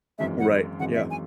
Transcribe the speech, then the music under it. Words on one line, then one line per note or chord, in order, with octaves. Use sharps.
Right, yeah.
G#1 F#2 E3 G#3 E5
F#5
G#1 F#2 E3 G#3 F#5
E5
G#5